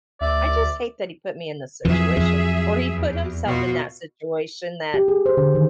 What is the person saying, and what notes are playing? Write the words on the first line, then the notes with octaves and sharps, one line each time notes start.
I just hate that he put me in this situation, or he put himself in that situation that,
D2 D5 E5
F2 E3 F#3 G#4 E5
F2
E2
B2 F4 F#4
G4
G#4
C5
D3
D#3